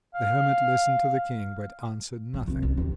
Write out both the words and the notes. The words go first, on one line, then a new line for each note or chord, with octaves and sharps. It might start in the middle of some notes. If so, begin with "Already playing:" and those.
The hermit listened to the King, but answered nothing.
F5
G3
C2
C#4
D#2